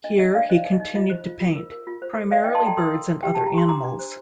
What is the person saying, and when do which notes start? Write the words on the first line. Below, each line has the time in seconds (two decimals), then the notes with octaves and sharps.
Here he continued to paint, primarily birds and other animals.
0.04 D4 D#5
0.19 D4 D#5
0.34 D4 D5 F5
0.50 C5 D#5
0.65 D#4
0.73 D#5
0.80 D#4
0.95 F4 D#5
1.10 C5
1.25 F4
1.40 F4
1.56 A#4
1.72 A#4
1.87 F4
2.02 C5
2.17 A4
2.31 C5 D5 F5
2.43 D#4 D#5 G5
2.55 A5 C6
2.63 A4 G5 A#5
2.77 A#4 C6 D#6
2.93 A#4
3.08 A#4
3.23 G4 G5
3.35 G4 A5
3.47 A#5
3.54 G4 C6
3.68 D4 A#5 D6
3.84 D4
3.99 C5